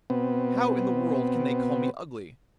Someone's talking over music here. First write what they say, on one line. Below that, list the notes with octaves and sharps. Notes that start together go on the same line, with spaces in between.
How in the world can they call me ugly?
B2 B3 C4